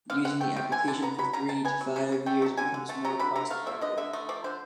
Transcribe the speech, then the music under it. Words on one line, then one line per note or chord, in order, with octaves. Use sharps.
Using the application for three to five years becomes more cost-effective.
D3 F5
D3 F#5
A3 G5
F3 G5
D3 G#5
D3 A5
B3 A#5
F#3 B5
C#3 A#5
C#3 A5
B3 G#5
F#3
C#3
C#3
A3 G5
F#3 A5
D3 G#5
D3
A3 A5
F#3 A#5
D3 B5
D3 A#5
A3 F5
F3 E5
D3 D#5
D3 E5
A3 D#5
F3 D5
D3 C5